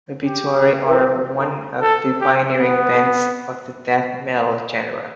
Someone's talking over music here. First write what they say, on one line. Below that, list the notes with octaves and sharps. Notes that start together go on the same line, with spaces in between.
Obituary are one of the pioneering bands of the death metal genre.
G4
A4
G4
B3